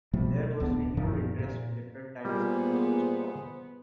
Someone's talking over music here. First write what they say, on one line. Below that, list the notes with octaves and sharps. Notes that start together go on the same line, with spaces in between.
There was renewed interest at different times since the first call.
B2 F3 G3 A3
D1 C#2 B3 D4
F#2 A#2 D#3 F3
A#2
A#2 G3 A#3 B3 G#4 C5